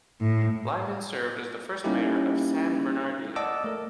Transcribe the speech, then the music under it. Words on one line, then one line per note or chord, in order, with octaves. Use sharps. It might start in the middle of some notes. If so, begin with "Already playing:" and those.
Lyman served as the first mayor of San Bernardino.
A2
G3 A#3 C#4 D#4 E4 G4
D5 D#5 F#5 A5 D6 E6
A3 A#4